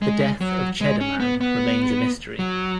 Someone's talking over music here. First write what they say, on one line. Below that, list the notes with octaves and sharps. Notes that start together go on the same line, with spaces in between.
The death of Cheddar Man remains a mystery.
G#3
F#3
G#3
C#4
B3
B3
F#3